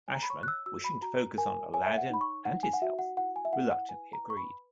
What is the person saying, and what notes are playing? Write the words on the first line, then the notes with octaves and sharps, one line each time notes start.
Ashman, wishing to focus on "Aladdin" and his health, reluctantly agreed.
G#5
A#5
B5
C#5 C#6
F#6
E6
F#4 E6
B5
F#4 A#5
A#4 G#5
C#5 G#5
E5
F#5
D#4 B5
C#6
D#4 F#5
G#5
F#5
F#4 E5
F#5
E4 F#5
G#5
E5
E4 F#5
F#5
B4 G#5
A#5
B4
C#6
B5